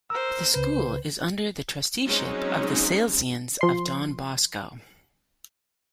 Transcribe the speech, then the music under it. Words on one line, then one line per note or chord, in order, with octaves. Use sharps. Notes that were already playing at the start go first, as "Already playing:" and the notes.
The school is under the Trusteeship of the Salesians of Don Bosco.
A#4 C5 E6
C#2 C#3 B4 C5
F#3 G#3 C4 C#4 D#4
F3 C6